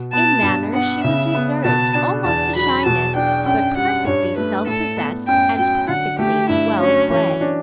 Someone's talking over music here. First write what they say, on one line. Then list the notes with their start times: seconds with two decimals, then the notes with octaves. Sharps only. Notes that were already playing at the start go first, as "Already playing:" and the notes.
In manner she was reserved almost to shyness, but perfectly self-possessed, and perfectly well-bred.
Already playing: B2
0.12 B3 A5
0.43 G2
0.73 B3 F#5
1.03 C#3 E5
1.35 B3
1.64 B2 A5
1.95 D4
2.24 E2 A5
2.56 F#3 B5
2.86 B2 A5
3.16 D4 G5
3.46 F#2 G5
3.77 G3 F#5
4.07 G2 C#5
4.37 A3 B4
4.67 A2 A4
4.97 B3
5.28 F#2 G5
5.58 F#3 G5
5.89 D3 F#5
6.19 A3 G4
6.49 G2 E4
6.79 F#3 C#4
7.10 E3 C#4
7.41 D4